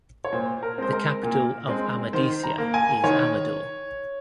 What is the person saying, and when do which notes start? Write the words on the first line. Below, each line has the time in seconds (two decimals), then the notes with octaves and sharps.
The capital of Amadicia is Amador.
0.24 C#5
0.33 A#2 C5
0.63 A#4
0.78 G#3 C4 C5
0.93 A#4
1.23 A#2
1.68 G#3 C4
2.13 D#3 C5
2.43 A#5
2.58 A#3
2.74 G#5
3.04 D#3 C#5